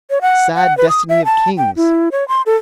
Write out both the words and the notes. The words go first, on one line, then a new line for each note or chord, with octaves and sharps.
Sad destiny of kings!
C#5
F#5
F#5
B4
D#6
E5
A5
G5
E4
C#5
C6
A4